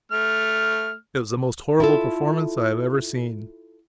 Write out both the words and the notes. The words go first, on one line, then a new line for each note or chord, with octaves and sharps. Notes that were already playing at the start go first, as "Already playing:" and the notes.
It was the most horrible performance I have ever seen.
A3 F6
E4 F4 A4